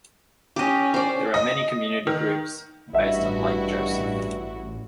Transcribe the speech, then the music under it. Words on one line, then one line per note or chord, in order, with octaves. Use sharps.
There are many community groups based on Lake Joseph.
C#4 G4 D#5
C5 D5
D#5
D#3
A1 G2 E4 F#4 D#5 E5